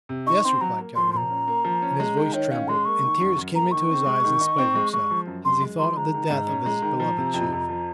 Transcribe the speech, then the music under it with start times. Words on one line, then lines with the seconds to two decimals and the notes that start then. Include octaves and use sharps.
"Yes," replied Calhoun; and his voice trembled, and tears came into his eyes in spite of himself, as he thought of the death of his beloved chief.
0.09 C3
0.26 D#4 C#6
0.45 C4 C6
0.61 F#3 A#5
0.79 A#3
0.96 F3 C6
1.13 A#2 A#5 C6
1.30 C#4
1.48 A#3
1.64 F3
1.82 C#4
2.00 G#3
2.17 D#3
2.33 D#3 C#5
2.51 C#4 F5
2.68 G#3 C6
2.85 A#3 C#6
3.04 D#3
3.20 F#2
3.38 F#2
3.55 A#3 A#5
3.71 D#3 C#6
3.90 C4
4.06 G#3
4.24 D#3
4.41 D#4
4.58 C4
4.75 G#3
4.93 G#3 C#6
5.11 F3
5.27 F#2
5.45 F#2 C6
5.61 G#3
5.79 F3 C6
5.97 G#3 A#5
6.14 D#3
6.30 G#2
6.48 C#4
6.66 G#3
6.82 D#3
7.00 F3
7.17 C3
7.34 F2
7.52 F2
7.69 F3